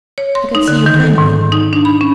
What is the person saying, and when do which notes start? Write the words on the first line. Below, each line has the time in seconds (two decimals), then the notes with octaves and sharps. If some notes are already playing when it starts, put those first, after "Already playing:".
I could see you plainly.
0.18 C#5
0.35 C6
0.55 D#4
0.68 D3
0.86 D#3
1.04 A4
1.18 G#2
1.52 D#4
1.73 D4
1.85 B5
2.01 C#4